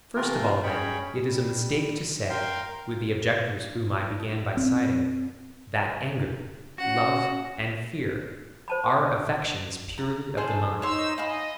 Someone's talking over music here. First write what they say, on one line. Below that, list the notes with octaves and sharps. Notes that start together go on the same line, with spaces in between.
First of all, then, it is a mistake to say, with the objectors whom I began by citing, that anger, love and fear are affections purely of the mind.
C3 E3 A3 F4 A#4
C#4 G#4 C#5 G5 B5
G3
A#4 F5 G5 C6
C4
C#4 F#4 F#5
C5 A5 B5
A#5
G#4 A4 C5
D#4 C5 C#5 E6
D#5 F5 G#5 B5